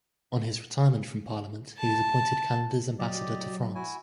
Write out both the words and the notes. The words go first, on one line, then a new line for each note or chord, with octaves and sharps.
On his retirement from Parliament, he was appointed Canada's Ambassador to France.
A5
F#3 G4 D5 D#5
E4 F#4 G#5